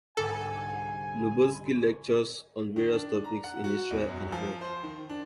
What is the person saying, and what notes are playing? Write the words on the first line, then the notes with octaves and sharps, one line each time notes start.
Lubotzky lectures on various topics in Israel and abroad.
C2 G#2 D3 A4 G#5
D#3
D4
A#5
F#5
F#4
E2
F#2
F3
C5
D#3
D4